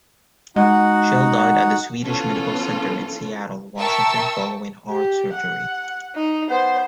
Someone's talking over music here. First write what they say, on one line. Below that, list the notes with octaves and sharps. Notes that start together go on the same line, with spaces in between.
Schell died at the Swedish Medical Center in Seattle, Washington following heart surgery.
G#3 D#4 F#4 F#5
E3 F3 B3 C#4 F4 A4
A#4 E5 G5 A5 C#6 E6
G4
F#5
D#4
B3 C5